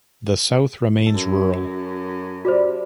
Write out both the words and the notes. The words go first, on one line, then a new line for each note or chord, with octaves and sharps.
The south remains rural.
F#2 A4
G3 F#4 C5 D5 E5